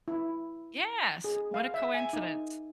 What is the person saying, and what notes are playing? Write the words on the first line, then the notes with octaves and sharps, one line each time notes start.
Yes, what a coincidence.
E4
G#4
F5
E5
G#5
D#4